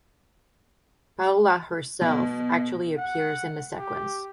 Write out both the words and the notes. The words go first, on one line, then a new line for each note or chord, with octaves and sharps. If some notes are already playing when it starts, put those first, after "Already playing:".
Paula herself actually appears in the sequence.
B2
F#5
G4